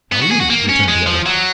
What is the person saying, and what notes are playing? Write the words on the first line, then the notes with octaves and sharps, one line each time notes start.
"How are you?" returned the other.
B3
F#4
G#4
F#4
A#3
C#4
G#3
F3
F#3